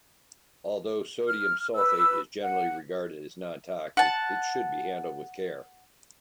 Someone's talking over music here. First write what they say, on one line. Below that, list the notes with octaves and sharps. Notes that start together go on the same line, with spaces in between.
Although sodium sulfate is generally regarded as non-toxic, it should be handled with care.
F6
B4 E6
F#5
F#5 A5